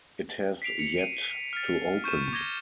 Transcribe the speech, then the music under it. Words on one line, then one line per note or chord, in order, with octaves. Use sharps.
It has yet to open.
B6 C7 D7 F7
C#7 F7
D7 D#7
F6 A6
C#6 G6 D#7 E7
D6 G#6 A#6 G7